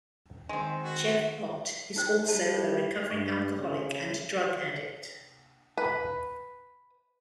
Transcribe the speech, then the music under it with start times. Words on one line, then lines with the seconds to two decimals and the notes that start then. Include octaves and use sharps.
Jeff Ott is also a recovering alcoholic and drug addict.
0.49 D#3 G#3 C4
0.83 F#4
1.96 D#4 C5 G5
2.29 G3 A5
3.10 G2 C#6
3.57 C#3
5.77 B4